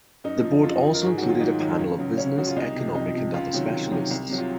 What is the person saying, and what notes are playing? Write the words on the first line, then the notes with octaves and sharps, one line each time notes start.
The Board also included a panel of business, economic and other specialists.
F#2 D#4
F3
F#2 F4
D#4
F4
F3
A#4
G#2 G#4
D#3 F#3 F#4
F4
G#2 D#4
D#3 F#3
C#2
C#3 F#3
C#2 C#4
C#3 F#3 F#4
F4
C2 D#4
C3 F3
C2 D#4
C3 F3
C#2 F4
C3 D#3 F#3
C#2
C3 D#3 F#3
C2
C3 F#3
F4